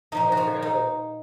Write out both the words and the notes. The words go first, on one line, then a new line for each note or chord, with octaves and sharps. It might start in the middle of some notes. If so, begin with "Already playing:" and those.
I forgot about
A#2 F3 A#3 D#4
F#4
F3 F4
D#4